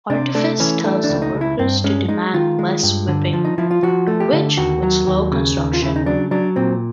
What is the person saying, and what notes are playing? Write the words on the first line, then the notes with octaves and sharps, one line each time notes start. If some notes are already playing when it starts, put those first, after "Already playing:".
Artifis tells the workers to demand less whipping, which would slow construction.
C3 D4
A3 D4
E3 C#4
A3 D4
D4
C#2
D#4
C#2
E4
G2 C4
G#3 C#4
G#3 D#4
D#3 F4
G#3
G2
D3
F3
D#4
F3 E4
F4
F3 F#4
A3
G4
D3
D#2 F#4
F#3
D#2
C#3
D#2
F4
C#3 E4
D#4
F#3 D4
F#3 D4
A#2 C4